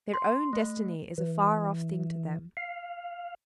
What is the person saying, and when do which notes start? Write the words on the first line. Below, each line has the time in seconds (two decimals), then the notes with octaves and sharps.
Their own destiny is a far-off thing to them.
0.14 C6
0.53 A3
1.18 E3
2.57 F5